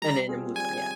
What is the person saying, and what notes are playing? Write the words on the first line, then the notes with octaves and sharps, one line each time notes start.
and then it moves on, yeah.
G3 A#5
C4 F4 G#4
G3 G#5